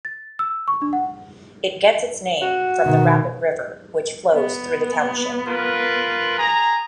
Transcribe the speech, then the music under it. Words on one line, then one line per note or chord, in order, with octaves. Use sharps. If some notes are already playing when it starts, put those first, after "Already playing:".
It gets its name from the Rapid River which flows through the township.
A6
E6
C#6
D4
F#5
F#4
B2 D#3
B3
F4 A#4 B4
G#4 A#5